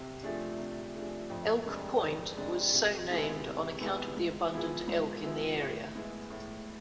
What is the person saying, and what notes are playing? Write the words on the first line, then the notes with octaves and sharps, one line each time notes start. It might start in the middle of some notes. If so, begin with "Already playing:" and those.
Elk Point was so named on account of the abundant elk in the area.
Already playing: C3
F3 A3 D4 G#4
C3
F3 A3 D4 G#4
F2
C3 G#3 D4
F2
C3 G#3 D4
C3
G#3 B3 E4 G#4
C3
G#3 B3 E4 G#4
G#2
F3 B3 E4 G#4
G#2
F3 B3 E4 G#4
A2
G#3 B3 E4
A2